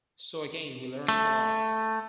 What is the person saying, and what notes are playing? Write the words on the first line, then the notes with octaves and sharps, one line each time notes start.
So again, we learned a lot.
A3